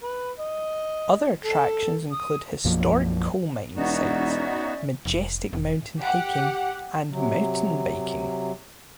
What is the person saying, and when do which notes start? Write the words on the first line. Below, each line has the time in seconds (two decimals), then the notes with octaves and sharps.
Other attractions include historic coal mine sites, majestic mountain hiking and mountain biking.
0.03 B4
0.39 D#5
1.44 A4
2.13 D#6
2.64 B1 F#2 F3 A#3
3.76 E1 B3 C#4 D#4 F#4 D5 E5
5.06 F1
5.53 E1
6.00 G4 F#5
7.10 C3 F#3